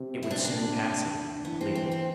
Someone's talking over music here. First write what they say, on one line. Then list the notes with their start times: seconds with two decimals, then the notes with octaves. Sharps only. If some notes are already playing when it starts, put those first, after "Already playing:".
It would soon pass him completely.
Already playing: C3
0.23 E4
0.31 D4
0.38 C4
0.45 D4
1.45 E3 B3
1.61 C4
1.75 C4
1.92 C4